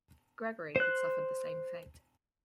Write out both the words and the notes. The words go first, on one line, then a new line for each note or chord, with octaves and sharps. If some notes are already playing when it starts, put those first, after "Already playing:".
"Gregory" had suffered the same fate.
C5 F#6